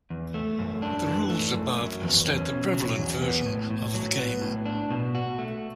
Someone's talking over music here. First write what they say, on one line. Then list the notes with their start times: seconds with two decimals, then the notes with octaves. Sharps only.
The rules above state the prevalent version of the game.
0.10 E2
0.34 A3
0.59 F#2
0.82 D4
1.07 E3
1.30 A3
1.55 F#2
1.79 F#3
2.03 E2
2.27 C#4
2.51 B2
2.74 F#3
2.98 E2
3.22 B3
3.46 A2
3.70 A2
3.94 F#3
4.18 B3
4.42 A2
4.66 D4
4.90 B2
5.15 F#4
5.38 A3